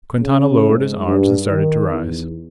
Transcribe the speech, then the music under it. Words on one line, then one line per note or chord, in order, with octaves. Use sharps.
Quintana lowered his arms and started to rise.
C#3
G#2
G2
D#3
E2